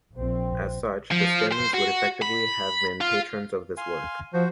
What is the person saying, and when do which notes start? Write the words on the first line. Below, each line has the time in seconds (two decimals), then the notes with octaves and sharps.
As such, the Stanleys would effectively have been patrons of this work.
0.16 A#1 C4
1.11 F3
1.52 C5
1.74 F#4
2.22 B5
3.01 F4
3.77 F5 G#5 C6
4.34 F3 F#4 C5